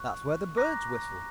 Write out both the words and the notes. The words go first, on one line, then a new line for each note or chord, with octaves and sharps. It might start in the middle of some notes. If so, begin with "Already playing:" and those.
That's where birds whistle.
Already playing: C#6 F#6
A#5 D6 F#6 A#6